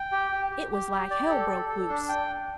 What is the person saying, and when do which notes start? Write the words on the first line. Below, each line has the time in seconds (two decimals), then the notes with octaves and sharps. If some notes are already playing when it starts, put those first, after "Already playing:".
It was like hell broke loose.
Already playing: G5
0.12 G4
0.32 G4
0.52 G4
0.72 G4
0.91 G4
1.11 D5
1.30 A4
1.50 A4
1.69 A4
1.89 D4
2.09 G5